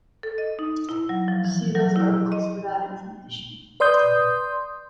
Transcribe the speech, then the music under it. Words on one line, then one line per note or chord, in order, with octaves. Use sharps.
See those articles for that information.
A4
D#5
D#4
E4
F#3
F3
E3
F#3
E4
D#5
B4 D5 C6 D#6 G6